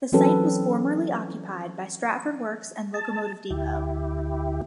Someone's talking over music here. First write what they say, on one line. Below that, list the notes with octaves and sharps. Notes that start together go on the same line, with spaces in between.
The site was formerly occupied by Stratford Works and Locomotive Depot.
E3 F#3 C4 C#4 A4 B4
A5
D2 E4 G4